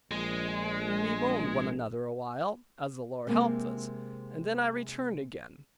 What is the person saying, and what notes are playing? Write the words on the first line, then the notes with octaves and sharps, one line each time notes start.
We bemoaned one another a while, as the Lord helped us, and then I returned again.
A#1 G#3
C3 G#3 A#3 C4